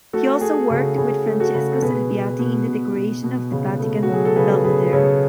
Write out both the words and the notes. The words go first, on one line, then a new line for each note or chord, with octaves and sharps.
He also worked with Francesco Salviati in the decoration of the Vatican Belvedere.
A3 F#4 A4
A3 G#4
C#3 F#4
C#3 G#4
A3
F#4 A4
C#3
A4
B2 G#4 B4
B2
B2
B2
B2
B2
C#3
A3
F#4
F#3 G#4
A4
C#3 G#4 B4
C#3 G#4 B4
C#3 A4 C#5